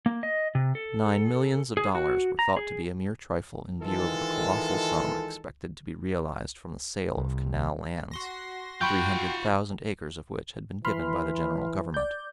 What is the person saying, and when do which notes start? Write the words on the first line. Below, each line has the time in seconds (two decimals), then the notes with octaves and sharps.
Nine millions of dollars were thought to be a mere trifle in view of the colossal sum expected to be realized from the sale of canal lands, three hundred thousand acres of which had been given by the general Government.
0.06 A#3
0.23 D#5
0.55 C3
0.75 A4
1.77 G#4
1.95 F#4
2.39 A#5
2.57 G#4
3.82 D#3 E3 G#3 F4 A4
7.17 C2
8.11 F#4 C6 A#6
8.81 F4 F#5 G5 B5 C#6 G6
10.85 E3 B5 C6 F6
11.94 D5 G6